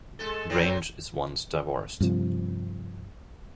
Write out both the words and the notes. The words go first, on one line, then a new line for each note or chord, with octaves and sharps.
Grange is once divorced.
G#3 A4
F#3 B3 C4
G2 C3 F3